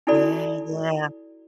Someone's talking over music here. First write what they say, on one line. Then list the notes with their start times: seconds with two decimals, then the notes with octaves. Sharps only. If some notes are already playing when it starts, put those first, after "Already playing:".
Yeah, yeah.
0.07 D#4 E4 F#4 A4 D5 B5